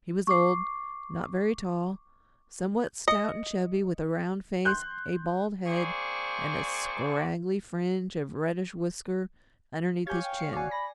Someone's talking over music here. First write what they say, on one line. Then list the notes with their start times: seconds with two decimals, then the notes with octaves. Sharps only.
He was old, not very tall, somewhat stout and chubby, with a round face, a bald head and a scraggly fringe of reddish whisker underneath his chin.
0.27 C#6 D6 C7
3.08 D#5 C#7
4.65 C6 F#6 G6
5.68 A#3 C4 G#4 C5 D5 C#6
10.07 G4 C#5 F5 G#5 G6 G#6
10.23 G5
10.37 C7 C#7
10.53 F#4 D5 G#5
10.71 B5 A#6